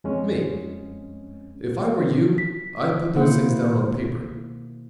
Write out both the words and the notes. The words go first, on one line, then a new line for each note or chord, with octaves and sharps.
ME: If I were you, I'd put those things down on paper.
F2 G#3 C#4
B6
B2 D#3 A#3 E4 C5 F#5